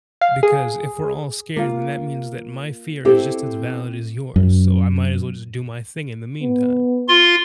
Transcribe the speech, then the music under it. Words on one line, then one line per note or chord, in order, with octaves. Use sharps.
because if we're all scared, then that means that my fear is just as valid as yours, so I might as well just do my thing in the meantime.
F5
G#4
A#3 F4
C4 E4 G4 A4
F#2
B3
F4 C6